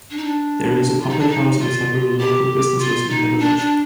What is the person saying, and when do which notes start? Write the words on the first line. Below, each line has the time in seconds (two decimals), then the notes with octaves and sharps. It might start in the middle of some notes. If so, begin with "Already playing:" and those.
There is a public house and several local businesses in the village.
0.10 D4
0.17 D#4
0.24 D4
0.99 F4
1.09 D#4
1.19 D4
1.28 D#4
1.59 F4
2.18 G4
2.78 F4
3.09 D#4
3.39 D4
3.58 D4